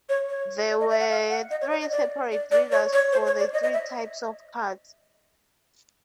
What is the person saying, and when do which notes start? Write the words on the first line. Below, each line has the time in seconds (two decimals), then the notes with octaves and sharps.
There were three separate readers for the three types of cards.
0.09 C#5
0.29 C#5
0.70 D5
0.80 D#5
0.90 E5
1.00 F#5
1.11 F5
1.31 F#5
1.51 D#5
1.61 C#5
1.71 D5
1.81 D#5
1.92 D5
2.32 D5
2.51 D5
2.72 C#5
2.93 C#5
3.12 C5
3.26 C#5
3.39 D5
3.53 D#5
3.63 D#5
3.73 E5